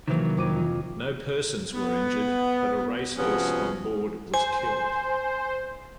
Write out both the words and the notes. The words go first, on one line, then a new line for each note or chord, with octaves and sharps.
No persons were injured, but a racehorse on board was killed.
C3 D#3 E3 F#3 A#3
F2 D6 D#7
B3
C3 F3 B3 C#4 F#4 G#4
C5 G#5